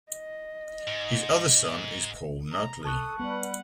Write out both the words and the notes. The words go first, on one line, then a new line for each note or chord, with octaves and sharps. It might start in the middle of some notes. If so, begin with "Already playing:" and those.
His other son is Paul Notley.
D#5
G#2
A#5
A4 A5 C#6 D#6 F#6
G3 B3 B4 F#5